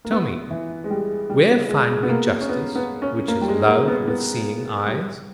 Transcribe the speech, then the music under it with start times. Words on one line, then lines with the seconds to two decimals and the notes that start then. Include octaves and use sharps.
Tell me: where find we justice, which is love with seeing eyes?
0.05 A#3
0.11 B3
0.51 E3
0.84 G#3
0.90 G3
1.30 G3
1.69 G#3
2.03 B3
2.09 A#3
2.41 C#4
2.49 B3
2.76 B3
3.02 C#4
3.28 A#3
3.41 G3
3.48 G#3
3.67 A#3
3.88 B3
4.07 B3
4.87 G3